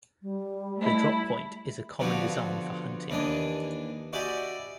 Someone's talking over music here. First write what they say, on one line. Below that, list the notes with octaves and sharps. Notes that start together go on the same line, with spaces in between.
The drop point is a common design for hunting.
G3
A3 E4
G2 D3 F3 B3 C4 F#4
D#2 E3 D4 D#5 G#5
E4 F#4 G4 D5 D#5 G#5